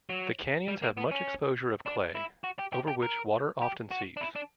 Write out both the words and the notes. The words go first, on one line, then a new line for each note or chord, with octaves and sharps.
The canyons have much exposure of clay, over which water often seeps.
F#3
G3
A#3
B3
C#4
D4
E4
F#4
G4
G4
G4
A#4
G4
F#4
D4
E4
D4